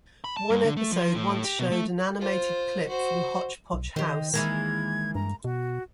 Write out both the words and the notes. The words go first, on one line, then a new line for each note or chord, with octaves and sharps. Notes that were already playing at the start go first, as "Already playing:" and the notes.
One episode once showed an animated clip from "Hotch Potch House".
B5
A5
G2
D3
A3
F3
A2
G4
B2
A3
F4 C5
F#4 C5
B1
D#3 G4 C5 D#5
D#3 E3 G#3 A#3 G#6
G2 A#5
B2 F#4